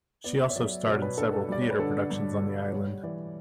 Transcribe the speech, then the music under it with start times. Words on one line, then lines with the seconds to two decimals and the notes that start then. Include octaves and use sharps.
She also starred in several theater productions on the island.
0.24 B3 D5
0.40 E5
0.50 C#5
0.56 F#3 D5
0.71 E5
0.86 B2 C#5
1.02 B4
1.18 D4 A4
1.33 A4
1.48 G3 D5
1.61 C#5
1.70 B4
1.79 D3 A4
2.10 G2
2.42 D4
2.72 G3 C#5
3.03 E3 D5